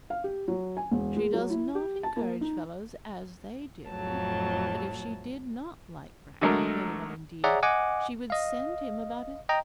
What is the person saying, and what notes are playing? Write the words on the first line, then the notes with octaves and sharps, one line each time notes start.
She does not encourage fellows as they do; but if she did not like Bracton very well indeed, she would send him about his business.
F5
G4
F#3
G#5
E1
G#3
F#3
E4
G4
A5
A#3
D#4
F2 A2 F#3 A5
D3 F#3 G#3 A3 A#4
G#4 C#5 D5 E5 F#5 A#5
D#5 F#5 G#5 D6
D#5 F5
D#5 G5 A#5